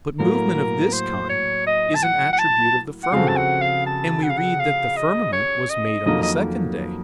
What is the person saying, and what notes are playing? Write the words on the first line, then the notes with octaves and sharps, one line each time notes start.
But movement of this kind is an attribute of the firmament, and we read that the firmament was made on the second day.
A2 F#3 A#3 A#4
C5
C#5
D#5
A5
F#5
F#5
A5
F#5
C#3 F3 C4 F#4 A4 F5
A5
F#5
F5
A5
F#5
F5
F#5
F5
D#5
C#5
D#5
F2 D#3 F#3 A#3 D#5
D#5